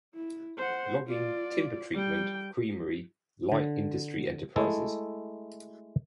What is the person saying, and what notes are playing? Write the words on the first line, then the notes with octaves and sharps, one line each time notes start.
Logging, timber treatment, creamery, light industry enterprises.
E4
C5 F#5
F4 D5
G3 G5
D3
G#3 A3 E4 A4